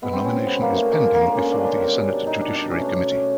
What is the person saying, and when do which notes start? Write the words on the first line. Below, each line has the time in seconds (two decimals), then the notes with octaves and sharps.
Her nomination is pending before the Senate Judiciary Committee.
0.02 B2 G#3 B3
0.13 C4
0.24 C#4
0.47 B3
0.62 A#3
0.77 A3
0.92 D3 F3 G#3 A#3
1.14 A#3
1.37 C#4
1.52 D4
1.66 C#4
1.81 B2 G3
2.04 D4
2.27 D#4
2.41 D4
2.55 D4
2.71 B2 F#3 A3 C#4